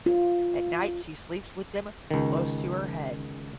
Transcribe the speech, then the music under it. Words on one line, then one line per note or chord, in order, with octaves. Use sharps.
At night she sleeps with them close to her head.
F4
C#2 D#3